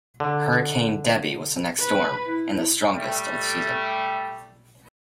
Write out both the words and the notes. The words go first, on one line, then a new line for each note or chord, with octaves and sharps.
Hurricane Debby was the next storm and the strongest of the season.
D3
B4
E4
G3 A3